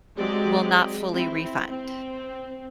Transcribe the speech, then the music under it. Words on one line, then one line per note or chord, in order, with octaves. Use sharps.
will not fully refund.
F#3 G#3 C4 G4 D5 D#5
C4 E4
C4